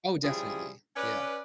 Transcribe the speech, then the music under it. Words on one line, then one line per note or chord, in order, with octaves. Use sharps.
Oh, definitely, yeah.
C#3 F3 G3 E4 G4 G#4
C#4 B4 D5